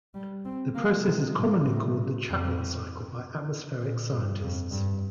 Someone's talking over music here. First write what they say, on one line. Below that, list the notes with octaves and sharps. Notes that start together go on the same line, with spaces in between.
The process is commonly called the Chapman cycle by atmospheric scientists.
G3
C4
A#3
C3
A2
A2
F2
A#2
G2
F2
G2